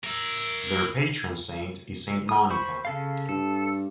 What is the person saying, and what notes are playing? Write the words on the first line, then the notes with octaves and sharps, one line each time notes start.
Their patron saint is Saint Monica.
A#4 E5
D#6
C5 B5 C#6
C#3 A4 F5
G2 A4